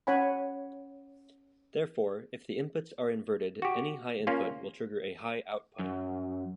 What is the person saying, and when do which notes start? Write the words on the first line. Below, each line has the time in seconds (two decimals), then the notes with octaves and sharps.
Therefore, if the inputs are inverted, any high input will trigger a high output.
0.07 C#4 C#5 F#5 G#5 B5
3.62 F#4 G4
4.27 A#3 C#4 F4
5.79 F#2